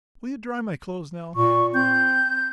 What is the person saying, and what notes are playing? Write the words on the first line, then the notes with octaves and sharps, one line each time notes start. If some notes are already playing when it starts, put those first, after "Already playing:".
Will you dry my clothes now?
A#2 C#6
C4 G6